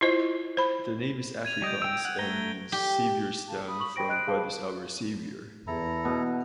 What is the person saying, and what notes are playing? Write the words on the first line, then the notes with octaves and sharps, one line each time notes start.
The name is Afrikaans and means "Saviour's Town", from "God is our Saviour".
E4 F4 C5 D#5
C5 B5
G#6 D#7 F7
G3 D#5 G6 D7 D#7
G5 E6 D7
F#5
A3 A#5 G7
G4
G#4 F5 A5
B5 D#6
C#6 F#7
C5 G5 B5 A#6 D7
D#5 F#6 D7
G#4 F5 A5
E2 E4 A4 A#5
B2